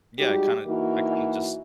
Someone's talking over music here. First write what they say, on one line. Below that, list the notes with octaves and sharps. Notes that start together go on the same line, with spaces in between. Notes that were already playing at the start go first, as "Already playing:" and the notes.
Yeah, I kinda I kinda just
G3 G#3 D#4 F#4 G4
E3 A#3 D#4 F#4